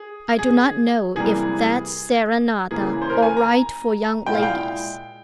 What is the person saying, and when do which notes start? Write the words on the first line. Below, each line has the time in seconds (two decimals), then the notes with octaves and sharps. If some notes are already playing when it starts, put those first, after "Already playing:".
I do not know if that SERENATA all right for young ladies.
Already playing: G#4
0.39 G#4
1.15 C3 E3 G3 A#3 G#4
2.71 C#3 E3 A#3 G#4
3.02 C5
3.10 A#4
3.22 G#5
3.37 A#5
4.26 A#2 G#3 E4 G5
4.34 F5
4.43 G5